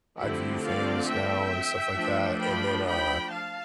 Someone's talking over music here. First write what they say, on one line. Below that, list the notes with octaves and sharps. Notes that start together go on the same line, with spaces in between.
I view things now and stuff like that, and then, uh,
D3 F3 A3 C4 E4 G4
D5 F5
E5 G5
F3 A3 D4
G5 B5
G5 B5
F5 A5